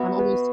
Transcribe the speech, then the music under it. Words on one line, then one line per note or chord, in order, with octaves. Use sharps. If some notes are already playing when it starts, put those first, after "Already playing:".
I'm almost
Already playing: B3 F#4 E5
B4